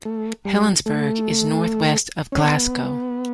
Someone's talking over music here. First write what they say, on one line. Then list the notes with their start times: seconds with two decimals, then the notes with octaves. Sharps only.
Helensburgh is north-west of Glasgow.
0.05 A3
0.45 G3
0.86 A3
2.32 C#4
2.44 B3